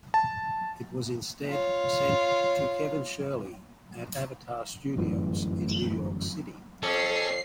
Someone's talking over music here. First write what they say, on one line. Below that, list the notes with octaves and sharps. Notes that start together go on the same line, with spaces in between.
It was instead sent to Kevin Shirley at Avatar Studios in New York City.
A5
F4 C#5
G1 F#2 A2 E3
F2 C#4 A4 C7